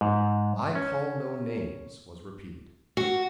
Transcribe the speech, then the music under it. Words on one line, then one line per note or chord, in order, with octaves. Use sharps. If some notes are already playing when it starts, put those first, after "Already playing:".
"I call no names," was repeated.
G#2
C#4
F#4